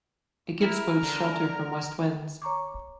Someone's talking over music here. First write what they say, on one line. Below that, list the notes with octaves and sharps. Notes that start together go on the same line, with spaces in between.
It gives boats shelter from west winds.
E4 A#4
D3
C#5 A#5 C#6 D6